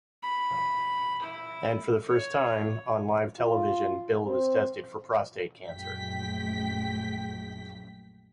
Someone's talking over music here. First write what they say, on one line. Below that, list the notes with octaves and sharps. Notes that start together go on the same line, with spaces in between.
And, for the first time on live television, Bill was tested for prostate cancer.
B5
E4
C#5
F4
C4
A#1 F#2 G#3 A3 G5 B6